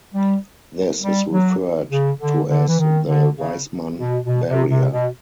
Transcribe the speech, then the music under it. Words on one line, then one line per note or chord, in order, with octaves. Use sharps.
This is referred to as the Weismann barrier.
G3
G3
F#3
C#3
D3
D3
E3
D#3
D3
C#3
B2
B2
C3
C3
B2